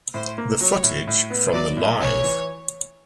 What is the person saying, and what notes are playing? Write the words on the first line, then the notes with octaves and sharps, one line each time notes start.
The footage from the Live!
A2 C5
A#3
F#3 C#5
A2
A2
B3
F#3 D5
A2
E2 C#5
E3